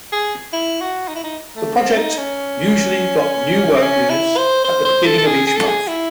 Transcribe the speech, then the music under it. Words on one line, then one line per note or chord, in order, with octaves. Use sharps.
The project usually got new work units at the beginning of each month.
G#4
E4
F#4
D#4
E4
D#4
A3
C4
D#4
C#4
C4
C#4
E4
C5
C5
C5
A4
A4
G#4
G#4
A4
G#4
E4